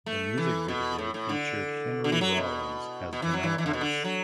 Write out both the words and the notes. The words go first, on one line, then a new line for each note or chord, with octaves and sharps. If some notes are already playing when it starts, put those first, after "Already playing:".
The music video featured Henry Rollins as Vanilla Ice.
A3
E3
B2
A2
A2
D3
D3
E3
F#3
B2
B2
E3
F#3
E3
E3
D3
B2
D3
F#3